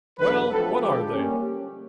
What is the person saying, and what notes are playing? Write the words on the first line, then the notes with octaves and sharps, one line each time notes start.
"Well, what are they?"
E2 B2 F#3 A3 D4 B4
F3 A3 C4 A4
D3 F3 G#3 G4
G3 A#3 C#4